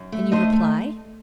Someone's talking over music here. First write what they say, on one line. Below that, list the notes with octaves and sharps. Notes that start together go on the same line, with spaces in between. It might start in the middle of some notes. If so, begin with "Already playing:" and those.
"And you reply?"
Already playing: F#2
A3
A3 C5 D#5
A3